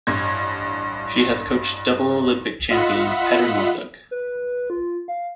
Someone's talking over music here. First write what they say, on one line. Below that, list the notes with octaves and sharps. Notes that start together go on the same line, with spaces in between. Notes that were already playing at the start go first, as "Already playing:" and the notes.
She has coached double Olympic champion Petter Northug.
A1 G2 G#6
F4 D#5 E5 F#5 B5
B4
F4
F5